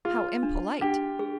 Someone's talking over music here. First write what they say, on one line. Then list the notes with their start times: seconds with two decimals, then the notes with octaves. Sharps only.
"How impolite."
0.05 F4 G#4
0.43 D4
0.81 D4 G4
1.19 G#4